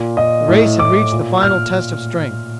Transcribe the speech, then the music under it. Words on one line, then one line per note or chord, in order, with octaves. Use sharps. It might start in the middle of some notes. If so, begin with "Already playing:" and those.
The race had reached the final test of strength.
Already playing: A#2
A#2 D#5
A2
A2 D6
A#2
A#2 F6